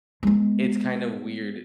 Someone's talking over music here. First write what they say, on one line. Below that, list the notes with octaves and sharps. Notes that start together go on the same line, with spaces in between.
it's kind of weird
G#3 B3